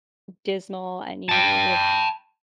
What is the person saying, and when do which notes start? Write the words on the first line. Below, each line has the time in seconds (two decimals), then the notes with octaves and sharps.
dismal and you
1.29 G5 A5